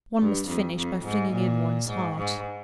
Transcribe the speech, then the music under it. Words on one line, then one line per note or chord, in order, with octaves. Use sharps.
One must finish by flinging in one's heart.
G2
F2
F2
G#2
A#2
G#2
G#2